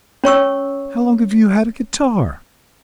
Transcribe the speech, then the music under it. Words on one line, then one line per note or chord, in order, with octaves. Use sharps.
How long have you had a guitar?
C#4 C#5 C#6 E6